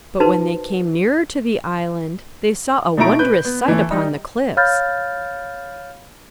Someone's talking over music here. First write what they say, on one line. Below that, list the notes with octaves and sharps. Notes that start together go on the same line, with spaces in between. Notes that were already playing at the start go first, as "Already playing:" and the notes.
But when they came nearer to the island they saw a wondrous sight upon the cliffs.
D#4 F#4 B4 C5 A5 C6
B2 A3 D#4 E4 A#5 D7
B4 G6
B3
E3 A3
G3 D#4
C#5 F5 B5 F6 G6 A6